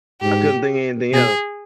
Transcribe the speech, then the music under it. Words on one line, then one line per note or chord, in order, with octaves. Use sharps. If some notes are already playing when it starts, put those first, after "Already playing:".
I couldn't think anything else.
G#2 G4
B2 G#4